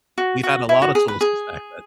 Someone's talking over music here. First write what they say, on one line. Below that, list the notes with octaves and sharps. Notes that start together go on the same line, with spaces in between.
we've had a lot of tools since back then."
F#4
F#4
E4
F#4
G#4
B4
G#4